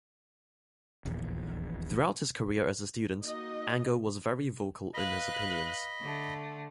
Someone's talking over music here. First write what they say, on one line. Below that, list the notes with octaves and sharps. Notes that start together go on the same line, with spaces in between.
Throughout his career as a student, Ango was very vocal in his opinions.
D#1 A#1 E2
A#3 D#4 F#4 D#5
B4 D#5 F5 B5 F#6
D3 A3